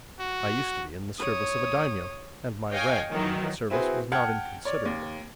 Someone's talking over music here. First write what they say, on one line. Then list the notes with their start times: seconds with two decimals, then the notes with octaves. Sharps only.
I used to be in the service of a daimyo; and my rank in that service was not inconsiderable.
0.19 F#4
1.19 C#5 D#6
2.73 C#5 D#5 F5 G5 G#5
3.12 D#3 E3 F#3
3.70 C4 E4 F#4 G#4 B4 C5
4.12 F#5 G5 A5 F6 G#6 C#7
4.65 C#5 D5
4.85 D#2